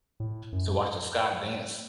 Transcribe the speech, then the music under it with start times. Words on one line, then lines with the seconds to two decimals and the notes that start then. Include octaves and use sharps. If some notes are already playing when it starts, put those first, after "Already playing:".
so watch the sky dance,
0.20 A2
0.52 F#2